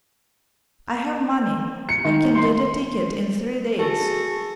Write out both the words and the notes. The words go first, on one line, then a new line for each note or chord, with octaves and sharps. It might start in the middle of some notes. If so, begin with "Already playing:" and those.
I have money, I can get a ticket in three days.
C#7
D#3
C6
F#4 G#4 A4